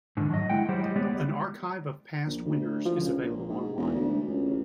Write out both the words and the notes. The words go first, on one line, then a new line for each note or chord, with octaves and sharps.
An archive of past winners is available online.
G#2 D3 D#3
F#3 D#5
G#3 E4 F#5 G5
F#3 G3 C5
G3 D#5
G#3 B3 G4 C#5 D5
A#1
D2
F3
C#2
A#1
G#2
E1
D2
C#2
A1